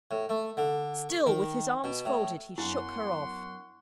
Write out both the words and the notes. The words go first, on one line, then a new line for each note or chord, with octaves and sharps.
Still, with his arms folded, he shook her off.
A2
A3
D3
C#6
D#3
B2
A2
F#2 B3 E4 F5 F#5 G#5 C6 C#6